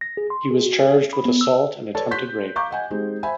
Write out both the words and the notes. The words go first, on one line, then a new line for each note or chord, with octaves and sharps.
He was charged with assault and attempted rape.
A#6
G#4
C6
G#4
F#4
G#4
B5
B3
E6
A4 B4 C#5 D5 A5
C6 F#6 G6 B6
F5 A#5 C#6 D6 G6
D#5 F#5 G#5
G#3 C4 D#4 G4
C5 E5 G#5 B5